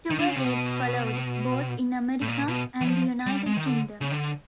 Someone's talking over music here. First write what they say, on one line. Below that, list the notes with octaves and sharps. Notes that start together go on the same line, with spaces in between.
Tour dates followed, both in America and the United Kingdom.
D#3
D3
C#3
C3
B2
A2
A#2
B2
E3
F3
G3
G#3
D#3
D3
C#3
D3